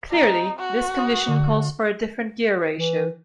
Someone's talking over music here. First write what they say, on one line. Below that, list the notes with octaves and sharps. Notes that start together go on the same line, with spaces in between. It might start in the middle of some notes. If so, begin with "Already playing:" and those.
Clearly this condition calls for a different gear ratio.
C4 D#4 A#6
F#4
D#6
D3
E3